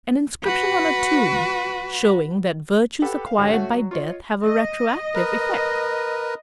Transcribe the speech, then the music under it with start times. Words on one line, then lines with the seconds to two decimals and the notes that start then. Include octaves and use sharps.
An inscription on a tomb, showing that virtues acquired by death have a retroactive effect.
0.44 F#4 B4
3.02 G4 A4 B4 F#5
3.26 F5
3.38 G#2 D3 C#4 G4
3.52 A3 C#4 F#4
3.73 F#3
3.91 F4 C#5 D#5
4.43 D#5
5.15 A#4 B4